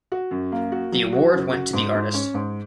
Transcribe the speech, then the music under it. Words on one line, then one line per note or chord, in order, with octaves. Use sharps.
The award went to the artist.
F#4
F#2
A#3
F#4
F#3
F#4
F#2
F#4
G#2
G#2
C#4
G#2